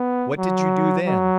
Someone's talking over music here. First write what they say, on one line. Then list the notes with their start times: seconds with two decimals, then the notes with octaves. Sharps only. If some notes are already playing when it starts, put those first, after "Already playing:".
"What did you do then?"
Already playing: B3
0.38 F#3
1.06 F#3